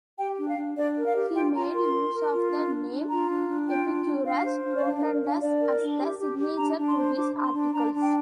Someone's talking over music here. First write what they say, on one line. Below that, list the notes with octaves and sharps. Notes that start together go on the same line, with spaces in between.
He made use of the name "Epicurus Rotundus" as the signature to his articles.
G4 G5
D4
F5
D4
D4 D5
A#4
F5
G4
F4 G5
F4 A#5
A#4 C6
A#4
A#4
F4
D4
D4
D4
F4 A#5
D4
D4
F4 G5
D4
D4
D4 F5
C5
D4
D5
D4 F5
D5
A#4
D5
D4 F5
D4 D5
A#4
D4
G4
G4
G4
D4 A#5
D4
C6
C5
D4 D6
D4
C6
D4
D4 A#5
D4
G5